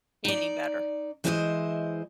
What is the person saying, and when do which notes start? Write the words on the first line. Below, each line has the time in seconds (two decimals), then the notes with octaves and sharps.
Any better.
0.25 D#4 D5
1.24 E3 G#3 E4 C5 C#5 D#5